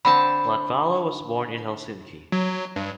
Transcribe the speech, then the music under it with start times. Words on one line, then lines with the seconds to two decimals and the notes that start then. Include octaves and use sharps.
Latvala was born in Helsinki.
0.05 D3 C4 A5 B5
2.32 F#3
2.76 G2